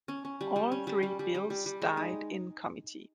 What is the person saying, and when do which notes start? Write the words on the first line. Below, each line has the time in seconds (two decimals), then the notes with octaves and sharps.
All three bills died in committee.
0.08 C#4
0.25 C#4
0.41 G3
0.56 G3
0.72 C#4
0.87 G3
1.03 G3
1.19 G3
1.35 G3
1.50 G3
1.66 G3
1.82 G#3
1.97 D#4